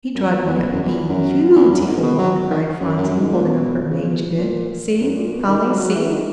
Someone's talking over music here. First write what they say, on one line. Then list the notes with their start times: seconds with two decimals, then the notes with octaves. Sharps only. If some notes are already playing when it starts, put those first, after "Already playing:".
"He drawed me a be-yew-tiful one," cried Phronsie, holding up her mangy bit; "see, Polly, see!"
0.14 F#2
0.25 E2
0.47 E2
0.62 E2
0.72 F#2
0.83 E2
1.09 F#2
1.56 E2
1.72 F#2
1.87 G#2
2.02 B2
2.18 F#3
2.50 D#3
2.81 F#2
2.97 F#2
3.08 F#2
3.20 G#2
3.32 A#2
3.44 B2
3.91 C#3
4.02 A#2
4.06 B2
4.38 A#2
5.01 F#2
5.16 A#2
5.31 B2
5.47 D#3
5.63 F#3
5.79 F#3
5.89 F#3
5.95 E3
6.10 D#3